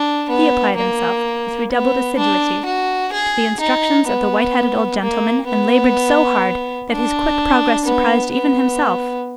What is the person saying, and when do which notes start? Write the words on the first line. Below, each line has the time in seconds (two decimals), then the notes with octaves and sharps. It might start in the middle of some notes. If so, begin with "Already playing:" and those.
He applied himself, with redoubled assiduity, to the instructions of the white-headed old gentleman, and laboured so hard that his quick progress surprised even himself.
Already playing: D4
0.30 B3
0.77 A#3
1.72 B3
2.18 D4
2.66 F#4
3.13 G#4
3.60 D#4
4.08 B3
5.02 A#3
5.49 B3
6.91 D4
7.86 B3
8.32 B3